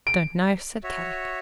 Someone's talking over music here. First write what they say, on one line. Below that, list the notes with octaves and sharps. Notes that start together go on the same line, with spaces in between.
"Don't know," said Kadok.
D7
F#4 C#5 E5